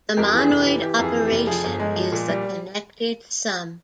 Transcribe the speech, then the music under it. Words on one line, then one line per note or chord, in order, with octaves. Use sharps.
The monoid operation is the connected sum.
F2 G4 A#4
E3 G#4
F1
G4
E3
E3 G4
F2
G#4
E3
G4
F1
F3 G#4
G1
G#3
F3
A#2
G3